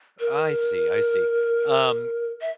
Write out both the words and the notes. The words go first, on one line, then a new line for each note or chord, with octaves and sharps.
I see, I see. Um,
A#4
E5